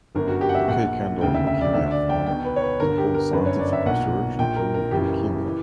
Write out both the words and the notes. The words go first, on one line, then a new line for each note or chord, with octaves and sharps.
The Kay Kendall Leukaemia Fund supports scientific research into leukaemia.
G1 F#2 D3 A#4
F#4
G4
F#5
E5
A#1 A#2 F#5
E1 D2 C#3 G5
E5
E5
D5
D2 D3 E5
D5
G5
B1 B2 G5
B4
C#5
B4
G1 G2 D3 A#4
G4
A#4
G1 F#2 D3 B4
C#5
D5
E5
B1 A#2 F#5
A#1 A#2 G5
A#4
A#4
F#1 F#2 C#3 E3 G4
E3